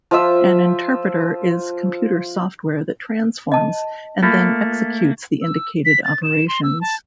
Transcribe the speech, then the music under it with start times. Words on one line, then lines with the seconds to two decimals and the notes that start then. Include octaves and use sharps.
An interpreter is computer software that transforms and then executes the indicated operations.
0.11 F3 F4 E5 E6
3.52 D#5 A5
4.23 A3 A#3 F4
5.42 E6
5.85 B6
6.05 A6
6.23 E7
6.48 C6
6.64 E6
6.81 A5